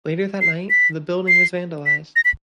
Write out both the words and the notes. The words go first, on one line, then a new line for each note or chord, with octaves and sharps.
Later that night the building was vandalized.
C7
B6
C7
B6
A#6
B6